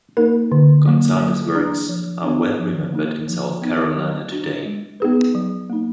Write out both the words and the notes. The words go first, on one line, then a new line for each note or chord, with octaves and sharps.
Gonzales' works are well remembered in South Carolina today.
A#3 D#4 A#4
D3
F#3 A#3
F#3
D4 G#4 D5
F3
B3 D4
F3
A#3 D#4
F3
B3 D#4
F#3
D4 F#4
G#3
B3 D#4 G#4 B4
F#3
A#3 D#4